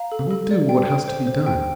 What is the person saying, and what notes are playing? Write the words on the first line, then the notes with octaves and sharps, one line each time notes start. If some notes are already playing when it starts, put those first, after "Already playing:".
"I will do what has to be done."
Already playing: F5 A#5
A4
A4
D5
G5
G5
C5
C5
G5